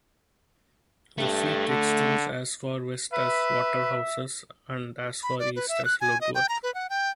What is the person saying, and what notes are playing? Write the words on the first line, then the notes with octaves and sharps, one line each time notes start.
The seat extends as far west as Waterhouses and as far east as Ludworth.
G2 A3
D3
B4 E5
B5
D5
B4
E5
F#6
G#5
D#5
G5
A#5
B4
F#5
G5